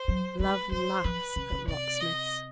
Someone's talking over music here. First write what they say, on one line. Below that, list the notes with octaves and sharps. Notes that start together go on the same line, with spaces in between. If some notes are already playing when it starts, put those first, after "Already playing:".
Love laughs at locksmiths.
Already playing: C5
F#3
G#3 B4
G3 C5
F3 B4
C#3
C#3
C3 D5
D#5